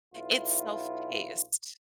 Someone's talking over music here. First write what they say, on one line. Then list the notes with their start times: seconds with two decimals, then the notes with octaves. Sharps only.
It's self-paced.
0.14 B1 E4 F4